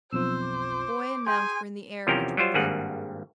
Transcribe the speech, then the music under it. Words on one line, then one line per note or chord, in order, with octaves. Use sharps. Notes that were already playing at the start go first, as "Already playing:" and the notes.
Boy and mount were in the air in a twinkling.
B1 F2 F3 C5 E6 E7
D6
G#4 G5 G#5 C6 G6
E2 C3 F3 C#4 A#4 G5
F#3 G3 F4 C5
G#1 G2 G3 A#3 G#4 F#5